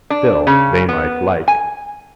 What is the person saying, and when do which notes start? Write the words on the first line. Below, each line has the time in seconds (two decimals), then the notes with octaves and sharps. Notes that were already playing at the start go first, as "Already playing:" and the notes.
Still they might like.
0.10 D4
0.47 C#3
0.89 B3
1.48 G#5